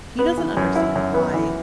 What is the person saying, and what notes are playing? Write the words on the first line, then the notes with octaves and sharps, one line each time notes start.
He doesn't understand why
B3
E3
F#2
E4
F#2
B3
E3